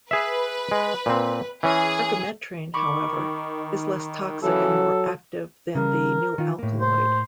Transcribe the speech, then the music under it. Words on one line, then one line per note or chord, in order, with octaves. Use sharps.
Ergometrine, however, is less toxic and more active than the new alkaloid.
G#4 B4 E5
G#3
A#2 C4
E3 C#4 G#4
D#3 B5 C#6 D6
C#3 E3 F#3 A4
C#3 G3 A#4
D#3 F4
A2 A#3
C5